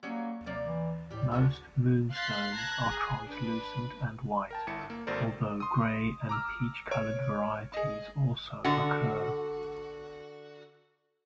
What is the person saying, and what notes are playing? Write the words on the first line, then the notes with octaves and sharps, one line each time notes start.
Most moonstones are translucent and white, although grey and peach-colored varieties also occur.
F#3 G3 A#3 C#4
C3 F#3 A#3 D5
E3
A2 G3 G4
D3 G#3 B3 F#4
F5 C6 F#6 A6 B6 C7
A5 A#5 F#6 G#6 A#6
G#4
D4 B4
A#4 G5 A5
G1 E4 A5 C#7
A#3
G#1 F#4 A4 A#4 C5 D5
C6 D#6
A#5 D6 E6 F6
C#5 D7
G#4 D#5
D3 F#4